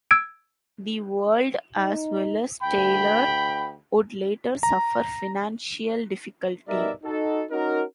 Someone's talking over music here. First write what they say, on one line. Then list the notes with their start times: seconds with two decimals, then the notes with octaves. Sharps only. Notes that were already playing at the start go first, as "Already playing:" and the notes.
"The World", as well as Taylor, would later suffer financial difficulty.
0.11 E6 G#6 D7
1.77 D#4
2.63 D2 G5 B5
4.63 A#5
6.68 B2 G3 D#4 A#4 D5 E5
7.04 D#4 F#4 A4
7.51 C#4 D#4 F#4 A#4